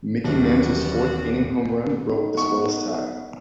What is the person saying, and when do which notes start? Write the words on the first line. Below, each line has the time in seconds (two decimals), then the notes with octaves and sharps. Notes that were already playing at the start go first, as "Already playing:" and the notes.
Mickey Mantle's fourth-inning home run broke the scoreless tie.
0.24 D#1 F#2 E3 G3 F#4
2.06 D#4
2.37 B3 C#6